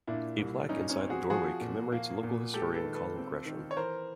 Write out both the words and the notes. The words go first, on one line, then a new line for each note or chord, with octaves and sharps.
A plaque inside the doorway commemorates local historian Colin Gresham.
A#2 D4 E4
C2
G3 C#4 D#4
C#4 D#4
C4
F#4 G#4
F3 F#4 G#4
A#2
A#3
A#2
G#3 G4 A4
A4 B4
D#3
A4 B4
C4
D#3
C#5
E3 A#4 C5